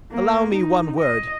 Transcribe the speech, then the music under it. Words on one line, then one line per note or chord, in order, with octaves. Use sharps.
Allow me one word.
A#3
D#4
D#5